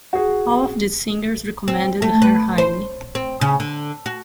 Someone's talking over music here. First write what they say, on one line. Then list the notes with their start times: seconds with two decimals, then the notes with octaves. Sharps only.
All of these singers recommended her highly.
0.13 F#4 G#4
1.68 C4
2.02 A3
2.22 B4
2.58 C5
3.15 C4
3.41 C#3
3.60 D3
4.06 F#4